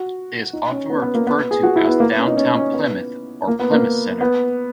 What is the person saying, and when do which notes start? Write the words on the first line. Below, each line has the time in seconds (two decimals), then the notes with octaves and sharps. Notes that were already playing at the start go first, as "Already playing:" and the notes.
It is often referred to as Downtown Plymouth or Plymouth Center.
Already playing: F#4
0.53 D#4
0.71 C#4
0.90 B3
1.02 B3
1.15 A#3
1.27 B3
1.39 B3
1.51 G#4
1.63 F#4
1.76 E4
1.87 B3
2.00 A#3
2.10 B3
2.18 C#4
2.28 D#4
2.37 C#4
2.55 C#4
2.73 B3
3.48 A#3
3.59 B3
3.72 A#3
4.21 B3